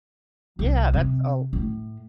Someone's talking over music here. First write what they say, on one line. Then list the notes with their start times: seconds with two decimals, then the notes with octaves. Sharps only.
Yeah. That's Oh
0.59 C2
0.94 C3
1.53 A2